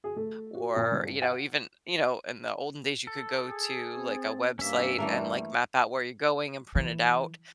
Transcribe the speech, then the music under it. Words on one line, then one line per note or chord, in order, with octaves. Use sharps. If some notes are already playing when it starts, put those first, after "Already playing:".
or, you know, even, you know, in the olden days, you could go to, like, a website and, like, map out where you're going and print it out,
G#4
A3
F#4
A#2
G2
F#5
A4
G#4
C4
G2 A#3 C#4 E5
E3 G3 A3 A#3
E3